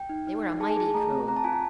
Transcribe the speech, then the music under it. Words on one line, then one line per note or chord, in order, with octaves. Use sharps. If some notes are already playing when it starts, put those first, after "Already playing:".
They were a mighty crew.
Already playing: G5
D#4
D#4
D#4
G#4 A5
G#5
G#4 A5
A3 A#5
C4
C4 A#5
A5
F4 G#5
A5